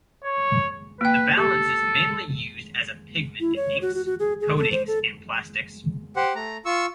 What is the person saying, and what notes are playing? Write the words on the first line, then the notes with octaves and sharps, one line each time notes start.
The balance is mainly used as a pigment in inks, coatings and plastics.
C#5
A#3 B4 G5
G4 A4
E4
C#5
F#4
F#4
F#4
G#4
G#4
A4
C5
A4
G4 C5 F#5
A3 A#5
F4 C#6 E6